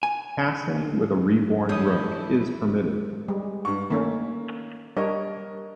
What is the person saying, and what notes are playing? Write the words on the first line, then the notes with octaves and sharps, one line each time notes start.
Castling with a reborn rook is permitted.
G#5
E3 C#4 E4 F4 G#4 A4 D#6 G6
G3 G#3
G2 C#6
D#3 A3 A#3 C#4
G3 D4 A#4 C#5 D#5